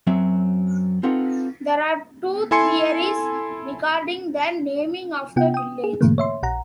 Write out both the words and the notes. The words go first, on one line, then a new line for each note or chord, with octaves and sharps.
There are two theories regarding the naming of the village.
F#2 F#3 C4 E5
C4 D#4 F4 A4 B4 F#5
E4 A4 G#5 C6 C#7
C3 B3 F4 F#5 G5
G5 D#6
G#4
G#2 B2 D3 E3 A3 A#3
C#5 E5 C6
A#1 F#5 A#5